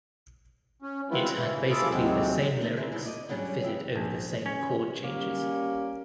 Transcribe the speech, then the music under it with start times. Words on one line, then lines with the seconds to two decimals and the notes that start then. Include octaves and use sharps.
It had basically the same lyrics and fitted over the same chord changes.
0.82 C#4
1.10 F#3 G#3 C4 E4 F4 B4
1.36 G#2 C#3 E3 E4
1.70 F4 G#4 A4 E5 B5 D6
1.91 D#2 C3 F#3 G#3 C4
2.61 G3 A3 A#3 D#4
2.77 C4 E4 G#4 A#4 B4
2.92 B2 D#4 E4
3.05 D5 D#5
3.29 F#3 G3 C#4 D4 F#4 G#4
3.62 F2 E3 E5 G5
3.96 A#1
4.46 C#4
5.03 G3 A#3 C#4